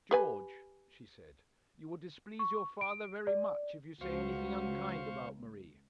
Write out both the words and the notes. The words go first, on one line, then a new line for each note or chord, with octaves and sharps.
'George,' she said, 'you will displease your father very much if you say anything unkind about Marie.'
G4 B4 G#5
C#6
D7
D5
C#2 F#4 C5 F5 C#6